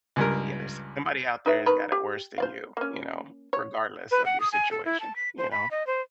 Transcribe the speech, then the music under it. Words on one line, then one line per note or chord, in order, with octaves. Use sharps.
Yeah, there's somebody out there whose got it worse than you, you know, regardless of your situation, you know?
C#2 G2 A#4
D#4 B4 E5
D#3 B4 A#5
G4
C5 D5 F5
A#3 C#4
C#5
B4
F#5
D#6
G#5
A4
E4
A5
B6
C5
B5
D#5
C5